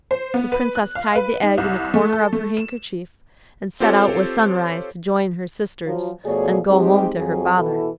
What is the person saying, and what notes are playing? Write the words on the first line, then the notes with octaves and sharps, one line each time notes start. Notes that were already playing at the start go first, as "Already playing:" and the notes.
The Princess tied the egg in a corner of her handkerchief, and set out with Sunrise to join her sisters and go home to her father.
C5
B3
B4
F#6
F5
B4
D#4
C2
A3
A4
A3
E7
C4 F4 G4 A4 C5 C#5
F3 F#3 F4
B2 F3 A3 G#4 C#5 D5
G#3 C4 D#4 G4
F2 F#3 G#4
B2 E3 E4 F#4 A4